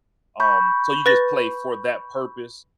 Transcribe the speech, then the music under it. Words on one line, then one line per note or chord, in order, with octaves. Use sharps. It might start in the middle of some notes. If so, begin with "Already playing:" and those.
um, so you just play for that purpose,
B5 C#6 G6
B4 A6 A#6